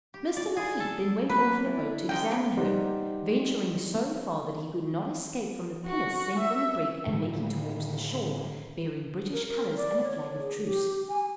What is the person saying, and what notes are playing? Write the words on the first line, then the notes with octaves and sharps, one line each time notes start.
Mr. Lafitte then went off in a boat to examine her, venturing so far that he could not escape from the pinnace sent from the brig, and making towards the shore, bearing British colors and a flag of truce.
G4
D5
G#4
A4
F#3 A#3 B4
D4 E4
G#3 C#4 D#4 G4 A#4 G5
C3
G3 D#4 G4 C5 F#5
F#4
E5
A2 D3 D#3
A#4
A#4
D5
C#5
G#4
G4
G#5